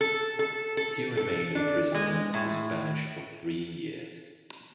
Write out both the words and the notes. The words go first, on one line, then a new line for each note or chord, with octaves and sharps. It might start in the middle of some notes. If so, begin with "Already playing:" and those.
He remained a prisoner of the Spanish for three years.
A4
A4
A4
A4
D4
G#3
A2